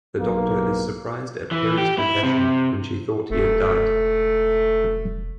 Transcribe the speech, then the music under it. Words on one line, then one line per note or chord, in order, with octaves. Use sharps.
The Doctor is surprised at Peri's compassion when she thought he had died.
B1 A#3
E3
G4
E4
C3
E1 A3